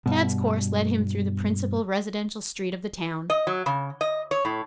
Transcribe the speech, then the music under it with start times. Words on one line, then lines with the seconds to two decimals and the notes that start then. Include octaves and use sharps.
Tad's course led him through the principal residential street of the town.
0.06 G2 B2
3.30 D#5
3.47 F#3
3.66 C#3
4.01 D#5
4.31 C#5
4.45 A2